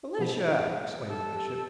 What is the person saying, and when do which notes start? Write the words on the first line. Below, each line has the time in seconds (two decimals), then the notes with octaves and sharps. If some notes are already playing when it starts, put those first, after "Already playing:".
"Felicia!" exclaimed the Bishop.
0.19 G#2 B2 F3 B3
1.09 G4 A4